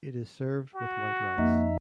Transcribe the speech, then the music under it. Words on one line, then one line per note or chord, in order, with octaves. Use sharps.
It is served with white rice.
F#4
F2 A#3 D#4 E5